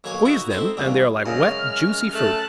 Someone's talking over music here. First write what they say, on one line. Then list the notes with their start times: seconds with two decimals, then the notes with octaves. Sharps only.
Squeeze them, and they are like wet, juicy fruit.
0.04 B1 B2 A#3 C#5 G#5 D6
0.25 D#4 E4 F#4 A#5
0.50 C4 D#4 E4 A4 C6
0.77 E2 G2 B2 A#3
1.26 F#2 C#3 G#3 F6
2.14 A3 A5 F#6